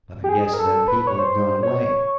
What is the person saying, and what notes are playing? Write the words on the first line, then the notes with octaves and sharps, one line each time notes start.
But I guess them people have gone away.
G4
G#4
A#4
A4
B4
C#5
C5
C#5